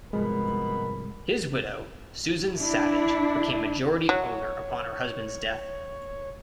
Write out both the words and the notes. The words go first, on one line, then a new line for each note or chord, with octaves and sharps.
His widow, Susan Savage, became majority owner upon her husband's death.
C2 G#2 B2 F3 G#3 A#4 B5
D4 E4
F#3 C#5